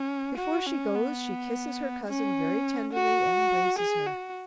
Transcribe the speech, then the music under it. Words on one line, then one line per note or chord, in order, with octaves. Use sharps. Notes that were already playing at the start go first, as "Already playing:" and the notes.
Before she goes, she kisses her cousin very tenderly and embraces her.
Already playing: C#4
F#4
C#4
B3
C#4
F#4
G#4
F#4